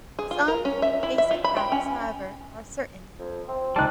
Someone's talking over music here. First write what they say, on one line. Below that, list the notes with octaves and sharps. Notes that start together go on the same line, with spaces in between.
Some basic facts, however, are certain.
G#4
F4
A#4
C#4
E5
E4
E5
F4
B5
G5
C#4
F2
C4
C#2 G3 C4 D#4 A5 F#6